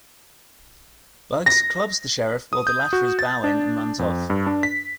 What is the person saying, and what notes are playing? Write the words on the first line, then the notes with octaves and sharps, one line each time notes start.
Bugs clubs the Sheriff while the latter is bowing and runs off.
A#6
D#6
G6
F#4
A6
D4
F2
G2
D4
B6